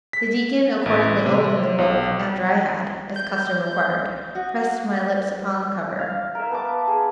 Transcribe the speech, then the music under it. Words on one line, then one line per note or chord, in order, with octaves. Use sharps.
The deacon accordingly opened the book, after I had, as custom required, pressed my lips upon the cover.
B6
A1
C3
B1
G6
F#4 D#6
F5
A#4 E5
B3 B4 A5 D6
G#4